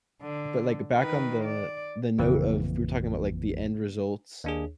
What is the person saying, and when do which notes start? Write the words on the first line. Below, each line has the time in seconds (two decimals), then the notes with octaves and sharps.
But, like, back on the the note of we're talking about, like, the end results
0.22 D3
0.97 D#3 B4
1.44 D5
2.18 A1 F2 C#3 E3 A#3
4.44 D#2 D4 G#4